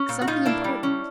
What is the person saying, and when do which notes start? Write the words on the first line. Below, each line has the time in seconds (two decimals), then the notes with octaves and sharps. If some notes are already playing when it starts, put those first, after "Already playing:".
"Something important."
Already playing: C#4
0.09 A#2
0.22 F#4
0.27 A#2 D#4 F4
0.45 A#3 D4 E4
0.64 G3
0.83 C#4